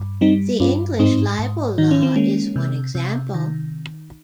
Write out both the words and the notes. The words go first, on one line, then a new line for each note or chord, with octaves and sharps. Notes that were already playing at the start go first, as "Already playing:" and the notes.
The English libel law is one example.
Already playing: G2
G3 C4 D#4
G2 C#4 F4
G#2 C4 D#4
G#2
D#3 D#4
C#4
C4
G#3 A#3 C#4
C3
C3
D#3